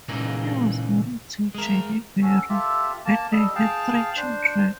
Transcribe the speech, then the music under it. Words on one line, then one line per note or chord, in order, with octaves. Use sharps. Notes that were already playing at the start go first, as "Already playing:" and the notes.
He was married to Jennie Barry and they had three children.
A#2 C#3 E3 G#3 A#3 D#4
G#3 A#4
C#4 F#4 A4
F4 G4 A4 E5
A#3 A5
G3 A4 D#5
G#4 F5 G5 A5
D4 C5